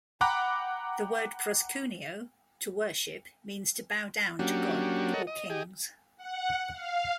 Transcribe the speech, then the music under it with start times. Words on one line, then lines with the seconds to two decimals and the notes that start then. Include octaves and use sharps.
The word "proskuneo" "to worship" means to bow down to God or kings.
0.21 F#5 G5 A#5 B5 D6 F#6
4.39 F#3 A#3 C#4 D4 F#4 G4
5.14 A4 A#4 C#5 D#5 F#5
5.27 D#5
5.50 G4 G#4 D#5
6.17 F#5
6.73 F5